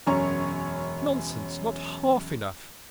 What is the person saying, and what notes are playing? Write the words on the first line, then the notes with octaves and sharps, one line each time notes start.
'Nonsense! not half enough.'
E1 F#2 C#4 C#5 A#5 C#6